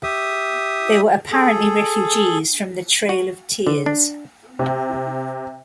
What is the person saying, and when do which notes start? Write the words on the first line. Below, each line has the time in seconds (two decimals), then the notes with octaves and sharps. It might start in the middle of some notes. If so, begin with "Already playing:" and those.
They were apparently refugees from the Trail of Tears.
0.03 G4 E5 D#6
1.32 G#4 A4
3.09 F#4
3.67 D3
3.86 D4
4.59 C3